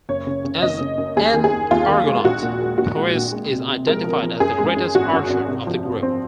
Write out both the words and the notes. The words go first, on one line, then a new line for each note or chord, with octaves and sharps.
As an Argonaut, Poeas is identified as the greatest archer of the group.
F#1 C#5
C#3
C#3
F#1 D#5
C#3
F#2
D#2 G#4
D#3
G#4
D#2
D#2 F4
D#3
G#3
A#1 F#4
A#2
G#3
A#1 F#4
G#3
A#1
G#3
C3
C3
G#3 A#4
F3
F3
F#2 G#4
G#3
F#2
G#1 F#4
F#2
G#1
C3
F3
C3
C4